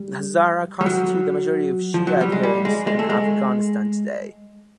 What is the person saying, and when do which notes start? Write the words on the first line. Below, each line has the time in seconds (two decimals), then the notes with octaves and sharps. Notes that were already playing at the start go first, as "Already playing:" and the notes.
The Hazara constitute the majority of Shia adherents in Afghanistan today.
Already playing: G3
0.81 G3
0.86 F#3
1.94 F3
2.07 F#3
2.21 G3
2.32 G#3
2.43 G3
2.65 G#3
2.87 G#3
2.99 A3
3.10 G#3